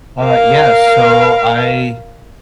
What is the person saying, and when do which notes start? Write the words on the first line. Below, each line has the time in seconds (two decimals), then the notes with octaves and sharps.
Uh, yeah, so I
0.23 A#4 F5